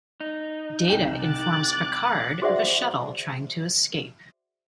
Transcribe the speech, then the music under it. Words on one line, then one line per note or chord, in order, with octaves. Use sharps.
Data informs Picard of a shuttle trying to escape.
D#4
C2 G5 E7
D6 F#6 A6
F#4 G#4 C5 D5 E5 F#5